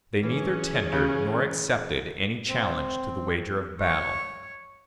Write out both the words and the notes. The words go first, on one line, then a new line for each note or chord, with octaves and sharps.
They neither tendered nor accepted any challenge to the wager of battle.
E3 C#4 G#4
C#3
C4
C#5